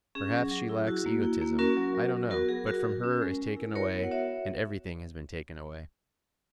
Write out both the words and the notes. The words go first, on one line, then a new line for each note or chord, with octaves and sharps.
Perhaps she lacks egotism, I don't know, but from her is taken away, and everything has been taken away.
C#4 G#4
F#3
F#3
E4
E4 F#4
A#3
E4
A#3
C#4 F#4 A#4
F#3
F#3
F#4
B3 F#4 A#4
F#3 G#4
F#3 F#4 A#4
F#4
C#4
G#3
G#3
E4
F#4 A#4 C#5
B3
F#5
F#4 C#5 E5